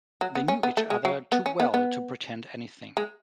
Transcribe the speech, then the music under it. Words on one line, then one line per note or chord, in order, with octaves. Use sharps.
They knew each other too well to pretend anything.
F#3
B3
C#4
B3
A3
G#3
F#3
B3
C#4
B3
B3
G#3